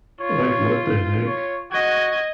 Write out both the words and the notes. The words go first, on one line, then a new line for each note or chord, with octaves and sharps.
like, what the heck?
F4 C#5
C#5
F#4 D#5 G#6